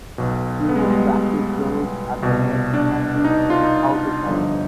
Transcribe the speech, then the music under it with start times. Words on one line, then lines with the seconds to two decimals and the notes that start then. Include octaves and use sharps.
She would practice girls at the nets and teach them how to fence.
0.18 B1 B2
0.69 B3
0.76 G#3
0.84 G3
0.90 G#3
2.22 C2 B2
2.74 D4
3.24 D#4
3.50 F4
3.63 D#4
4.26 G1 G2 D3 F3